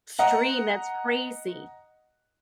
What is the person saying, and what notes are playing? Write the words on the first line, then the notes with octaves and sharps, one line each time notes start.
stream, that's crazy.
D#5 F#5 A#5